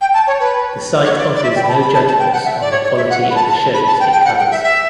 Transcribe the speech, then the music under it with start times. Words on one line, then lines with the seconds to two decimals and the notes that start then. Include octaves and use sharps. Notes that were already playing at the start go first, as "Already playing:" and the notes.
The site offers no judgments on the quality of the shows it covers.
0.01 G5
0.14 A5
0.27 C#5
0.40 B4
1.04 C#5
1.17 D5
1.35 D5
1.43 E5
1.56 G5
1.63 B5
1.68 A5
1.81 B5
1.94 A5
2.07 A5
2.19 G5
2.33 F#5
2.45 E5
2.61 D5
2.71 C#5
2.84 C#5
2.96 E5
3.10 F#5
3.30 B5
3.36 A5
3.48 A5
3.74 B5
3.87 A5
4.00 G5
4.12 G5
4.25 F#5
4.38 G5
4.51 E5
4.64 E5